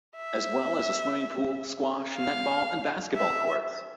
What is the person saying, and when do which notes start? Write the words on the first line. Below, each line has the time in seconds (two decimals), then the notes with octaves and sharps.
As well as a swimming pool, squash, netball and basketball courts.
0.16 E5
2.16 F5
3.16 E5